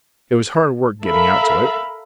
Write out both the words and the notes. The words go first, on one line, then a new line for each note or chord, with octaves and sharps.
It was hard work getting out to it!
A4 A#4 E5 F5 B5